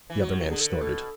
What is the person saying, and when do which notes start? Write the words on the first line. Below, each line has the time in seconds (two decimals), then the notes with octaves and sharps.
The other man snorted.
0.10 E3
0.21 F#3 F#4
0.51 D3 G#4
0.61 A4
0.70 B4
0.81 B2 A4